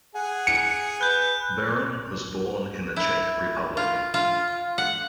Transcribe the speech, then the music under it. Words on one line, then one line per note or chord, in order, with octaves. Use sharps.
Beran was born in the Czech Republic.
G#4 F#5
C#7
B4 F#6 G6
E4
F4
F4
F#5